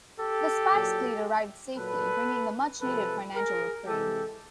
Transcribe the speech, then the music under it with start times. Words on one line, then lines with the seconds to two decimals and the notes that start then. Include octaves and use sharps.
The Spice Fleet arrived safely, bringing the much needed financial reprieve.
0.19 G4 A4
0.71 A#2 F#3
1.76 A#2 F#3 A4 B4
2.81 C3 F3 G#3 A4 B4
3.35 G#4 A#4
3.87 C3 E3 G#3 G4 A4